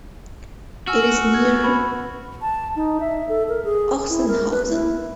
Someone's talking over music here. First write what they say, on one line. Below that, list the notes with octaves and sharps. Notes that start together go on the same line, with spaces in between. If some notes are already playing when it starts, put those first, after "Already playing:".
It is near Ochsenhausen.
F#4 G#5 E6 F6
G#6
B5 C#6
A5
D#4
E5
A4
A#4
G#4
E4
A#4
B4
E4